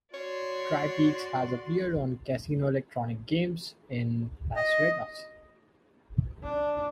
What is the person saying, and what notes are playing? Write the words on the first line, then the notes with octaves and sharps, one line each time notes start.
TriPeaks has appeared on casino electronic games in Las Vegas.
F#4 C#5 D5 C6
D#5
D4